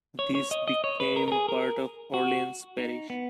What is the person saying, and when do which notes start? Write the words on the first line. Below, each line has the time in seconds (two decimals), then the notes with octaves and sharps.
These became part of Orleans Parish.
0.19 C#5
0.35 C#5
0.51 D#5
0.68 D#5
0.84 C#5
1.00 B4
1.16 A#4
1.28 A#4
1.32 G#4
1.49 A#4
2.14 F#4
2.78 D#4
3.10 B3